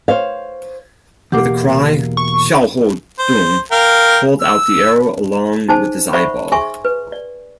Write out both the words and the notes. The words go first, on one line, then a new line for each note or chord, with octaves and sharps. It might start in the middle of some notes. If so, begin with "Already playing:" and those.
With a cry, Xiahou Dun pulled out the arrow along with his eyeball.
C5 C#5 F5
E2 B2 A#3 G4 F#5 D6
C#6
C5
A#4 F5 G5
E6
D#4 G#4 C5 G#5 A5
C5 D5 E5 F#5 B5 C#6
G#4 E5 G#5 C6 C#6
B4
D5